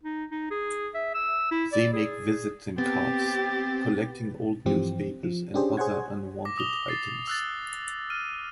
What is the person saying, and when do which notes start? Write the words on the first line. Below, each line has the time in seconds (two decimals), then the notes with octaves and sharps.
They make visits in carts, collecting old newspapers and other unwanted items.
0.03 D#4
0.31 D#4
0.51 G#4
0.94 E5
1.14 E6
1.51 E4
1.72 D5
1.93 G#4
2.78 B3 C4 G4 A6
4.66 G2 E3 F3 C4 G4
5.23 F3
5.54 C#4 D4 G4 G#4 C5
5.77 G#4 C5 C#5 F#5 G#6
6.45 D6 A#6
6.58 D#6 F7 G7
6.88 A6 C7
7.27 E6 F#6 A6
8.10 F6 D#7